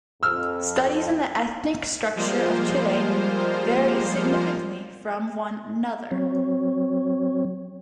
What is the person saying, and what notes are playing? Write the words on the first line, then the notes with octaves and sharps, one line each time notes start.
Studies on the ethnic structure of Chile vary significantly from one another.
F2 E6 F6
F3 G3 G#3 A#3 F4 C5
F#3 C4 C#5